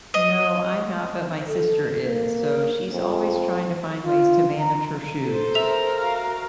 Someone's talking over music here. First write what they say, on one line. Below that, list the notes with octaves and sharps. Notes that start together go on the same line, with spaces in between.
No, I'm not, but my sister is. So, she's always trying to find ways to manage her shoes.
D#5
A4
A#3
F2
F4
A#5
A4 C5
A#4 E5 F7
F#4 F5